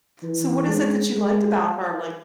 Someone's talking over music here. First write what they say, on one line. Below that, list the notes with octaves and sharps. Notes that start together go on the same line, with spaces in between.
So what is it that you like about her? Like,
E3
G#3
G#3